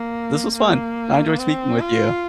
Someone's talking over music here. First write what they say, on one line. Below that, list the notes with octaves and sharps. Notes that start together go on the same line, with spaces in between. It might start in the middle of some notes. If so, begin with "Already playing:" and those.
this was fun. I enjoyed speaking with you.
Already playing: A#3
A#3
C4
F4